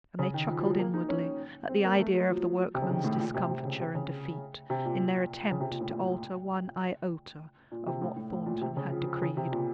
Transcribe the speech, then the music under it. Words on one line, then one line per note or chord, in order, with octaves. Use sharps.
And they chuckled inwardly at the idea of the workmen's discomfiture and defeat, in their attempt to alter one iota of what Thornton had decreed.
C#3
D#3
F3
F3
F#3
A#3
D#4
C#4
C4
A#3
A3
F#3
F3
C3
C#3
D#3
A2
A#2
C3
C3
C#3
C3
C#3
C3
A#2
C#3
C3
A#2
A2
A#2
A#2
C3
A2
A2
A2
A#2
C3
C#3
F3
F3
C#3
C3
A#2